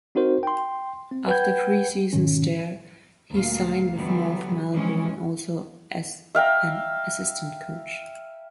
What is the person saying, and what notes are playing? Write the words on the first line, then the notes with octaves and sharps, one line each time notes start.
After three seasons there, he signed with North Melbourne, also as an assistant coach.
C4 D#4 F#4 A#4 C5
G5 C6
C4
B4 F#5 G5 G6 G#6
G#2 B2 D#3 C#4
D2 A#2 F5
D3 E3 F#3 G3 B3
C3 E3 F3 G#3 C#4
E5 F5 G5 A#5